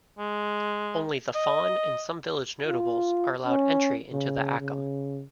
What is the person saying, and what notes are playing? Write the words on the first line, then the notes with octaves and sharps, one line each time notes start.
Only the Fon and some village notables are allowed entry into the "Achum".
G#3
D#5
F4
C#4
C#3
C#3